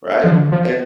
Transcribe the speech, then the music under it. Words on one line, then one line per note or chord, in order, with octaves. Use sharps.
right? And
F3
D3
F3